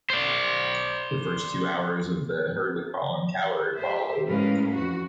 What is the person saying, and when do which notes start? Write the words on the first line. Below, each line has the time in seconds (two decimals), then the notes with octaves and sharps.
The first two hours of "The Herd with Colin Cowherd" followed.
0.10 C5 D5
3.77 G4 C5 E5
4.25 A2 G#3 C#4 A#4 B4 F5
4.73 F2 E3 F#4